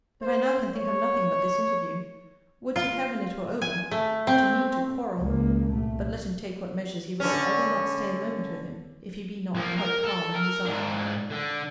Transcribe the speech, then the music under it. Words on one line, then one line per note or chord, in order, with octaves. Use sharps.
But I now can think of nothing but this interview.--Would to Heaven it were over!--To meet to quarrel--but, let him take what measures he will, I will not stay a moment with him, if he be not quite calm and resigned.
C5
C#5
F4
G#5
A3
C4
C#2 G#3 A#3
C2 A#2 A3
D3 C#4
F3 A#3
A#4
A4
A#4
G#2 D4
D3